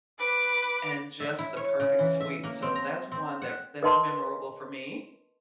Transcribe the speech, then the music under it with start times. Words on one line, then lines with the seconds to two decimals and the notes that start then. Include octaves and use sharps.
and just the perfect sweet, so that's one that f that's memorable for me.
0.19 B4 D6
1.20 E5
1.38 E4
1.57 C#5
1.80 C#3
1.99 E3
2.20 E5
2.43 A#3
2.62 C4
2.75 A#5
3.12 C4
3.42 F#5
3.83 A#4 B4 D#5 A5 C6